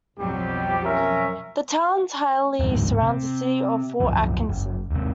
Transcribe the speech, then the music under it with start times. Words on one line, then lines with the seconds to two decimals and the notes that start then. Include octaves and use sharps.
The town entirely surrounds the city of Fort Atkinson.
0.18 B1 F2 F#3 G3 G4
0.84 C#4 A#4 E5
2.60 D1 F2 G#2 D#3
3.02 C3
4.00 C2 F#2 F3
4.49 F#1
4.91 D#2 C3